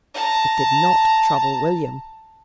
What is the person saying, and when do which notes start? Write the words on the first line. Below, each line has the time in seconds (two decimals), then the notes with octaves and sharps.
It did not trouble William.
0.14 A5 A#5